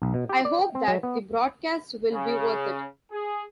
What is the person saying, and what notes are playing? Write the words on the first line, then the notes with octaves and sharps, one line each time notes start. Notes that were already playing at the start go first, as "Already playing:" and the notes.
I hope that the broadcast will be worth it.
B1
B2
G4
D5
G5
C4
F#3
B3
C#3
G#4